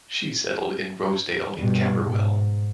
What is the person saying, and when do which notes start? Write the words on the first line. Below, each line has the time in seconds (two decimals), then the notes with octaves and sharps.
She settled in Rosedale in Camberwell.
1.56 G2 B2
2.07 G#2